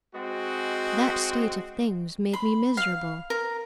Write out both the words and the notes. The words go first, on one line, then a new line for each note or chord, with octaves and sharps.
That state of things made me miserable.
G#3 C4 F#4 D#5
B5 C6
F5
A#4